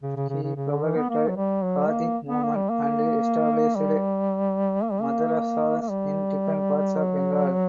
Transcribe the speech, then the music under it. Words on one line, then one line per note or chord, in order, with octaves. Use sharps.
He propagated Hadith movement and established Madrasahs in different parts of Bengal.
C#3
C#3
C#3
C#3
C#3
D3
E3
B3
A#3
F#3
G3
F#3
A#3
B3
A#3
G3
A#3
G3
A#3
G3
A#3
A#3
G3
F#3